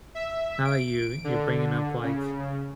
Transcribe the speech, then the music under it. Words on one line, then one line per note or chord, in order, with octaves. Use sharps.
Now that you you're bringing up, like
E5
D7
D3
C#3